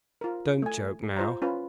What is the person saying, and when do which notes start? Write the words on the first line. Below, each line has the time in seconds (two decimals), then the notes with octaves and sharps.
Don't joke now.
0.21 F4 A#4
0.62 A3 G#5
1.17 F4 C5 A#5
1.42 C#4 F4 B4